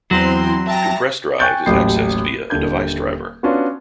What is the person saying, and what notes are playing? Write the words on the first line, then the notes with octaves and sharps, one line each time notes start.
The compressed drive is accessed via a device driver.
E2 F#3 C4 E4 C6
E5 G5 A5 A#5 A#6
G5 G#5 C#6 F#6 G6 A6
D#1 A1 F#3 G4 G6 C7
D#1 D3 G6 G#6
B3 C#4 D4 F4 F#4